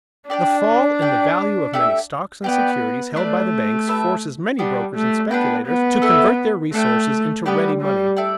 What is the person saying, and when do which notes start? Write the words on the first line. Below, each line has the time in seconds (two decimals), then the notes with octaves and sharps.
The fall in the value of many stocks and securities held by the banks forces many brokers and speculators to convert their resources into ready money.
0.30 D4 G4 D5 G5
1.02 G4 D5 G5
1.73 A3 G4 E5
2.44 B3 G4 D5 G5
3.16 A3 D4 B4 D5
3.87 G4 B4 E5 A5
4.59 G3 B3 D4 G4
4.95 A3
5.31 B3 D4 B4 G5
5.67 B3
6.02 A3 E4 A4
6.73 A3 D4 A4 E5 G5
7.45 G3 B3 G4 B4 G5
7.81 G3
8.16 E4 A4 D5 G5